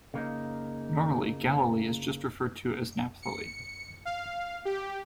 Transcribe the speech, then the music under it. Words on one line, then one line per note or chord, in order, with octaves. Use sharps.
Normally, Galilee is just referred to as Naphthali.
C#3 A#3 D#4
C#7
F5
G4